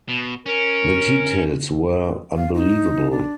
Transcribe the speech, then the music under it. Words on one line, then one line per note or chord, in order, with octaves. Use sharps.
The details were unbelievable.
B2
C#4 A#4
F5
D#4
D4